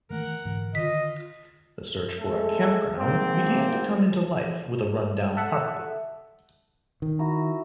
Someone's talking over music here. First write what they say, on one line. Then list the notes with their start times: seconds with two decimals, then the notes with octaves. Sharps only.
The search for a campground began to come into life with a run-down property.
0.10 D#3 E3 A3 A#4 F#5
0.45 G#2 D3 E3
0.75 D3 D#3 F4 D#5 B6
2.19 G#3 A3 A4
2.98 G#1 A#3 C4
5.37 A4 E5 F#5
7.02 D#3
7.19 E4 F#4 A#5